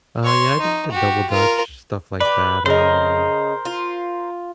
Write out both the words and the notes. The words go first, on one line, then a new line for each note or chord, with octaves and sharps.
Uh, yeah, I did Double Dutch, stuff like that, um
C#5 C6
D#4
F#4 G4
F4 A#4
G4 B4 D5
C#3 D#4 A#4 C5
F4